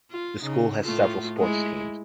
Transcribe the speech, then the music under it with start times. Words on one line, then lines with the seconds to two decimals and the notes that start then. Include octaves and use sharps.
The school has several sports team.
0.11 F4
0.43 C#3 D#4
0.83 A2 A3 F4
1.38 G#3 E4